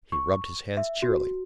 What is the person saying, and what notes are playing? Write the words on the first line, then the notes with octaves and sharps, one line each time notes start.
He rubbed his hands cheerily.
C#6
E5
F#4